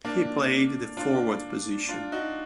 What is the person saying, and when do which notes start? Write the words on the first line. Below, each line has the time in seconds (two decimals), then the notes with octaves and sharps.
He played the forward position.
0.05 A#3 D4
0.97 D4 F4
1.89 D4 F4
2.12 D#4 F#4